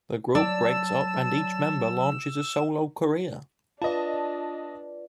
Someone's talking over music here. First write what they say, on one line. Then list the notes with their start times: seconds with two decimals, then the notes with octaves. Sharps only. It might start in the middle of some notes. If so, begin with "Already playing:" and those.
The group breaks up and each member launches a solo career.
0.35 F#3 D5 A5 E6
3.82 D4 F4 B4 D5 D#5 A5